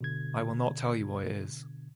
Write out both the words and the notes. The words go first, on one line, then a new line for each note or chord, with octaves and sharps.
I will not tell you what it is.
B2 D3 G#6